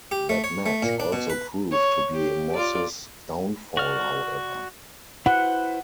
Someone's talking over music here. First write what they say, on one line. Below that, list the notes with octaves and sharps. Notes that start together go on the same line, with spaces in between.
That match also proved to be Moss's downfall, however.
G4
A3
C#5
A3
A#2
D4
B2
B4
C#5
G4
F4 D5
F#4 D5 F6
E4 B4 C5 F#5